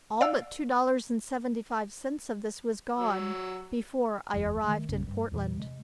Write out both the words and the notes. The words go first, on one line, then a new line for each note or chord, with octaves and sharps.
All but two dollars and seventy-five cents of this was gone before I arrived in Portland.
D5 F5 E6
F#3 E6
F#1 E2
D#3 A3
A#1 F#2 C#3
G2
E2 A#2 E3
C3 G3 G#3